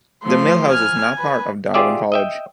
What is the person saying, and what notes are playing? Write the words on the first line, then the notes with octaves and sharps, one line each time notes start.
The mill house is now part of Darwin College.
F3 A3 C6
G#5 F6
B4
F4 G4 G#4 D5 E5
D#5 E5 G5